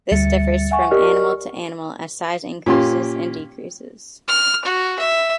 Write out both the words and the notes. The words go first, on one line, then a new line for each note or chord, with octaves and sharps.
This differs from animal to animal as size increases and decreases.
D2 G3 E5 A6 C#7
E5 F#5 G#5 C#6
G4 A#4 D5 D#5 C#6 F6
A#2 C#4 G4 C6
F6
F#4
E5